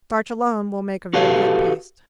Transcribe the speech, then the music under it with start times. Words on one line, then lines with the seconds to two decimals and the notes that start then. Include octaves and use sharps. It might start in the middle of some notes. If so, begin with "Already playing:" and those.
Starch alone will make a very good paste.
1.13 F#4 G4 A4 B4 F5